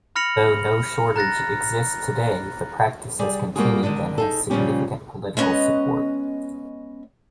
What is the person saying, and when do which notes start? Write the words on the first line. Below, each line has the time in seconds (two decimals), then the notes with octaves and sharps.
Though no shortage exists today, the practice has continued and has significant political support.
0.16 B5 F6 A#6 C#7 F7 F#7
1.16 A#5 F#6 A6 A#6
3.19 G3 G#4 D5
3.56 G3 A#3 C4 F4 F#4 G#4
3.83 D3 D#3 G#3 D4
4.18 D#4 G#4 A4
4.50 A#2 C#3 F3 G3 C#4 G4
5.37 G#3 B3 C#4 D#5 F#5